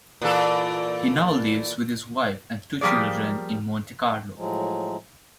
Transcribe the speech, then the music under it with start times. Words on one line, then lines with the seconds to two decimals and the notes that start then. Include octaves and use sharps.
He now lives with his wife and two children in Monte Carlo.
0.22 A#2 E3 A4
2.81 F3 G3 A#3 G#4 D5
4.35 A2 F3 F#3 G#3